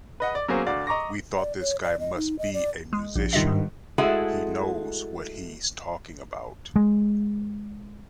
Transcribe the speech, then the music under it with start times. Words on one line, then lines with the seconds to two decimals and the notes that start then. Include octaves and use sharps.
We thought this guy must be a musician; he knows what he's talking about.
0.20 B4 D#5 F#5
0.35 D5
0.48 F#3 A#3 B3 C#4 G#4 C5
0.66 D2 F#4 D5 F5
0.87 D#5 A#5 C#6 D6 A#6
1.38 D5
1.61 C#5
1.83 D5
2.00 D#5
2.16 D#4
2.39 D#5
2.54 D5
2.93 G#3
3.15 A#1
3.33 G2 D#3 F4 D#5 E5
3.47 G#2
3.98 G#3 A3 E4 F#4 G#4 A4
6.76 G#3